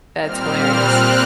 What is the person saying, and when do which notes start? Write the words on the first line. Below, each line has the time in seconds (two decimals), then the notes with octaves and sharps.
That's hilarious.
0.20 A#2 G3 C4 F6
0.68 F#6